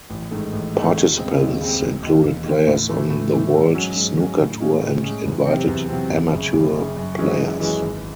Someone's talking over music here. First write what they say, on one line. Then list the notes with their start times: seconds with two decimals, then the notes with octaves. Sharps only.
Participants included players on the World Snooker Tour and invited amateur players.
0.10 A1
0.31 G#2 D#3 A3
0.53 A1
0.74 G#2 D#3 A3
0.96 D#2
1.17 C#3 G#3 C4
1.38 D#2
1.60 C#3 G#3 C4
1.81 E1
2.03 D#2 D#3
2.24 E1
2.46 D#2 D#3
2.67 A2
2.89 E3 A3
3.10 A2
3.32 E3 A3
3.53 G#2
3.75 F#3 C#4 F#4
3.97 G#2
4.17 F#3 C#4 F#4
4.39 A2
4.60 G#3 C#4
4.82 A2
5.03 G#3 C#4
5.25 E2
5.46 C3 F#3 C4
5.67 E2
5.89 C3 F#3 C4
6.10 F#1
6.31 F#2 C#3
6.53 F#1
6.75 F#2 C#3
6.97 F#2
7.18 E3 G#3 C#4 F#4
7.39 F#2
7.60 E3 G#3 C#4 F#4
7.82 G#1